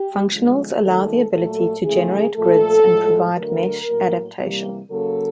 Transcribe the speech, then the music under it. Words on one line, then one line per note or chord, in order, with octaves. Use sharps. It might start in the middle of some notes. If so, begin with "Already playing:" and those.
Functionals allow the ability to generate grids and provide mesh adaptation.
Already playing: G4
D3 F3 G#3
D#3 F#3 A3 A4
A#2 F#3 A3 A4
C#3 E3 A3 G#4
A#2 F3 A3 A4
A2 F3 G#3
D3 F#3 A3 A#4
A2 F#3 A#3
C3 E3 G3 A#3
C#3 F#3 A#3 A4